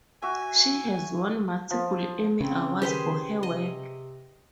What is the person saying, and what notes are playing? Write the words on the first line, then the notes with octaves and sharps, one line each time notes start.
She has won multiple Emmy Awards for her work.
F#4 E5 G#5
F3
C#3 C4
D#3 G4 G#4 B4 C5 G5 C6
C3 D#5